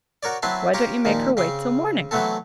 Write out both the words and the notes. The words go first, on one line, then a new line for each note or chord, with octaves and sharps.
"Why don't you make her wait till morning?"
F#4 A#4 C#5 D5
F#3 C4 E4 B4 A5 C6
F4 G4 C#5 A#5 D6
D#2 A#2 F3 D#4
C#3 C4 C6
E3 F#3 A3 B3 C4 A4